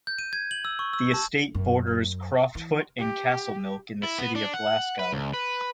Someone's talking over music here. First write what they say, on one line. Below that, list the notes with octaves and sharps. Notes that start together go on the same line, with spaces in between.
The estate borders Croftfoot and Castlemilk in the City of Glasgow.
G6
D#7
G#6
F#7
E6
C#6
E6
A5
F#2
E3
G4
E4
B3
D4
F#5
B4
C#2
B4